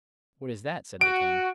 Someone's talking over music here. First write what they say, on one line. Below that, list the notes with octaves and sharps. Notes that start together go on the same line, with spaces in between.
"What is that?" said the king.
F#4 D7